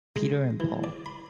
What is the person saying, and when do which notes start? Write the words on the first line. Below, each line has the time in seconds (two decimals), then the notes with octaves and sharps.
Peter and Paul.
0.16 G#3
0.60 E3
0.84 D5
1.06 B5